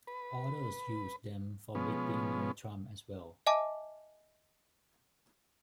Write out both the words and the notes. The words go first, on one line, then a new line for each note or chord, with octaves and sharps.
Others use them for bidding no-trump as well.
B4
B2 F3 G#3 B3 C#4
D#5 E5 G#5 A5 D6